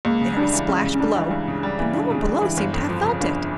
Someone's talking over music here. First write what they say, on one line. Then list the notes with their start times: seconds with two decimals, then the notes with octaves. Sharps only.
They heard a splash below, but no one below seemed to have felt it.
0.05 C#2 A#3
0.21 C#3
0.37 G3 D4
0.53 E3
0.68 C#2 C#4
0.84 C#3
0.95 C#4
1.00 G3 D4
1.15 E3
1.31 C#2
1.48 C#3
1.63 G3
1.79 E3
1.94 C#2 D4
2.10 C#3
2.26 G3
2.42 E3
2.57 G1
2.73 F2
2.89 F3
3.05 C#3
3.20 G1 D4